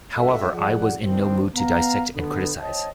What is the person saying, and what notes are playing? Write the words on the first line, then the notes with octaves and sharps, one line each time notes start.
However, I was in no mood to dissect and criticize.
G#1 G2 F#4 G4 A4 E5
F3 G#4 D5 F#5
D3 D#3 F3 G3 C4 D4
B3 F5 A#5
D3 B3
C5 C#5 D#5 G5 A5